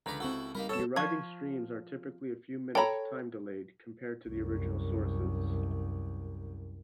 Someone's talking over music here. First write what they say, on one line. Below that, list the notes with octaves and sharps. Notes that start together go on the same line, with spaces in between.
The arriving streams are typically a few minutes time-delayed compared to the original sources.
C#2 D3 B4 D5 A#5 B5
C4 E4 F#4 A4 F#5
G3 A#3 D#4 A#4 B5
B2 A4 C#5 E6 E7
F3 C#6 G#6
A4 C#5 G5 A#5 B5
C2 F#2